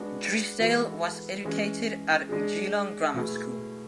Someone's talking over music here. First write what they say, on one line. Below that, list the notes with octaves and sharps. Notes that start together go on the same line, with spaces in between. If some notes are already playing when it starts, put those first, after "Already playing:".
Drysdale was educated at Geelong Grammar School.
Already playing: G#3 B3 D4 F#4
E3 G#3 B3 F#4 A4
E3 G#3 C#4 G#4
G#3 D4 G#4
B2 A3 E4 G#4